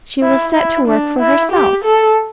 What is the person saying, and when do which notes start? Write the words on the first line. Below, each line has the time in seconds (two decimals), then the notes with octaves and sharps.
She will set to work for herself.
0.22 E4
0.54 E4
0.87 D4
1.20 E4
1.52 G4
1.84 A4